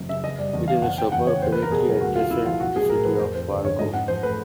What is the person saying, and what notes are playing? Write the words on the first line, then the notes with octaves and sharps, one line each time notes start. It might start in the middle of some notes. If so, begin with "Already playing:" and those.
It is a suburb directly adjacent to the city of Fargo.
Already playing: F#1 F#2
C#3 E5
F#1 D#5
G3 D5
E2 D#5
B2 F5
F#1 F#5
F#1 G5
E2 F#5
C#3 C#5
E2 C5
B4
E2
A#4
B2 G#4
F#3
D2 F#4
A3 F4
C3 E4
F3 F4
B1 F#4
B1 G#4
A2 A#4
F3 B4
F2 C5
F2 C5
D3 C5
F3 C#5
G#2 D#5
C#4 F#5
F3 C5
A3 B4